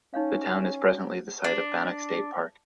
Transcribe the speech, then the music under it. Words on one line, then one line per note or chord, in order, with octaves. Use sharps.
The town is presently the site of Bannack State Park.
C#4 D#4 C#5 F5
D4